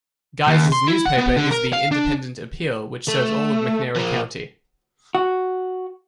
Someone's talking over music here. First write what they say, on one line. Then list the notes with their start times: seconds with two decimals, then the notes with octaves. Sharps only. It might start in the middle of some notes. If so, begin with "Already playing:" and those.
Guys's newspaper is the "Independent Appeal", which serves all of McNairy County.
0.47 D#2
0.72 C6
0.88 E4
1.05 F#5
1.18 B3
1.37 D3
1.52 A#4
1.73 F5
1.91 D4
3.08 A3
3.96 F3 A#3
5.15 F#4